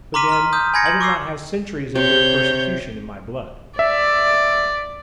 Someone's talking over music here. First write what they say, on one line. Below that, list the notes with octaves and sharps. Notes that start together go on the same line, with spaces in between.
But then I did not have centuries of bitter persecution in my blood.
A#5 C6 D6 F6 B6 D#7
A#5 C6 F6 D#7
D#6 F6 G6
G#5 B5 G#6 A#6 C#7
F#7
C#6 D6 E6 C7
C3 C#5 G6
D5 E5